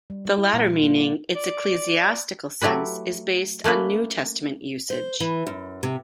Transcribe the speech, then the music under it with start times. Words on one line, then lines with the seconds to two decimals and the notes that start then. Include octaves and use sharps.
The latter meaning, its ecclesiastical sense, is based on New Testament usage.
0.10 G3
0.25 G3
0.37 E4
0.53 A#2
0.67 F4
0.83 A#3
0.96 D5
1.36 D5
2.62 F#3 A3 E4 G4 B4
3.64 A3 A#3 C#4 B4
4.90 C5
5.20 E3
5.47 F#2
5.83 C3